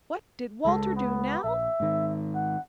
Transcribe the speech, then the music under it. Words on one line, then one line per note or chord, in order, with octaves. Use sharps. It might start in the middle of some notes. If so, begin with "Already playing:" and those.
What did Walter do now?
C#2 G#3 A4
B3
A#1 E5
G#2 D#3
F#5